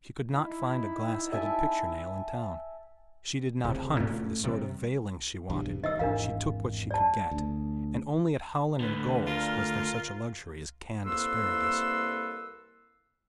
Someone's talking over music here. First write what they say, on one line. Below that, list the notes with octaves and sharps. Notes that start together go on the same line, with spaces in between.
She could not find a glass-headed picture-nail in town; she did not hunt for the sort of veiling she wanted--she took what she could get; and only at Howland & Gould's was there such a luxury as canned asparagus.
D#4 E4
E5 G#5 A5
D1 C3
A2 A3 C#4
C3 D#3 G3
B1 E2 G2
D#3 D#5 E5 E6
G#1 E2 D4 A#4 F5
D5 A5
D2
D2 D3 B4
F4 A#4
C2 A#3 A4 B4 C6 E6